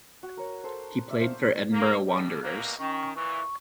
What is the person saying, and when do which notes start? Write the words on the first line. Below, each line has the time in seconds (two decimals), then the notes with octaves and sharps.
He played for Edinburgh Wanderers.
0.23 F#4
0.37 A#4 C#5
0.64 A4 C5
1.08 D5 E5
1.20 C5 F5 C#6
1.73 A#3
2.07 F2 G3
2.43 C2 B2 A#3
2.78 D#3 C#4 G5 C#6
3.15 A#2 E3 C#6